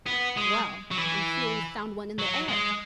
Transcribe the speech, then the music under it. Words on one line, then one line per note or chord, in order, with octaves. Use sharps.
"Well; and here we've found one in the air!"
B3
G#3
F#3
E3
F#3
G#3